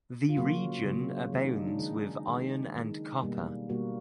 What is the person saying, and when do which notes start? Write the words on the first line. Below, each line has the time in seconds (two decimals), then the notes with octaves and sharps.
The region abounds with iron and copper.
0.29 F4
0.37 C#3 F#3 A#3 F#4
0.84 C#3 F#3 A#3
1.33 D#3 G#3
1.44 D#4
1.56 D4
1.68 D#4
1.79 D#3 G#3
2.27 D#3 G#3
2.75 D#3 G#3
3.22 B2 G3 A#3
3.69 B2 G3 A#3 F#4